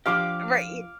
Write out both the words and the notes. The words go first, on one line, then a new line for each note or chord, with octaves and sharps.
Uh, right, e
F3 D4 G4 F5 D6